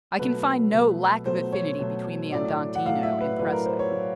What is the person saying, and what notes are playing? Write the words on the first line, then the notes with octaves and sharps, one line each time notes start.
I can find "no lack of affinity" between the andantino and presto.
B2 F#3 A3 B4
B2 F#3 A3
B2 F#3 A3 C5
C#5
B2 F#3 A3
A2 F#3 A3 D5
F#5
A2 F#3 A3 F5
E5
B4
A2 F#3 A3 B4
A#4
C5
C#5
A2 F#3 A3